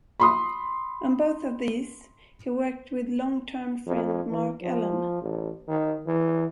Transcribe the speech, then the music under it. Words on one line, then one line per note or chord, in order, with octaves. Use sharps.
On both of these he worked with long term friend Mark Ellen.
B5 C6 D#6
F2
E3
F3
A1
D#3
E3